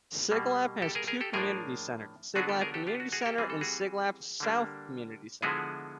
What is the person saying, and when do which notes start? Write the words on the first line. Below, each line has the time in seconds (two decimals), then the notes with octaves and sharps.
Siglap has two community centres, Siglap Community Centre and Siglap South Community Centre.
0.31 B2 G3 A#3
0.82 G4 A4
0.95 G#4 A#4
1.08 G#4 A#4
1.21 G4 A4
1.33 A2 F3 A#3 D4 G#4 A#4
2.35 D3 F#3 B3 D4 F4 F#4 G#4
2.49 G4 A4
2.61 G#4 A#4
2.74 G4 A4
2.87 F4 G4
3.00 F#4
3.12 F#4 G#4
3.21 A#4
3.26 G4 A4
3.38 E3 G3 C4 G#4
3.50 A4
3.61 F#4 G#4
4.40 D3 G3 A#3 D4
5.42 D3 F3 G#3 B3 E4 F#4 G#4